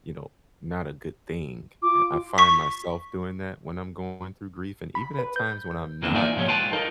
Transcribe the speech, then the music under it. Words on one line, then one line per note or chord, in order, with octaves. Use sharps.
you know, not a good thing, eh, I find myself doing that when I'm going through grief and even at times when I'm not,
F4 D6
C#6 B6
B5
B4
G6
E2 D#3 E3 A#3 C4 D4
A#3 D#4 F4 D5 E5 G#5
B1 G#2 F3 G4 C#5
G#3 F4 B4 F5 G5 A5
D#4 F4 A4 A#4 D#5